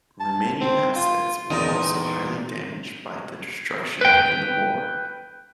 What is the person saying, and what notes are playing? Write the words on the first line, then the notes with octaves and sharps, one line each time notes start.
Remaining assets were also highly damaged by the destruction during the war.
A5
C4
F4
E2 A#2 D#4
B4 G5